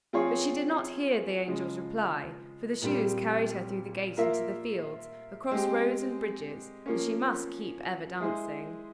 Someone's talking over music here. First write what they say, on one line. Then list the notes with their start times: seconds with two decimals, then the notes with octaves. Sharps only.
But she did not hear the angel's reply, for the shoes carried her through the gate into the fields, across roads and bridges, and she must keep ever dancing.
0.13 F3 C4 F4 G#4 C#5
1.48 C#3 F3 G#3
2.82 A#2 G3 C4 G4
4.17 A#3 F4 A#4 E5
5.51 G#3 C4 G4
6.86 F3 A#3 C#4
8.20 G#3 E4 G#4 C5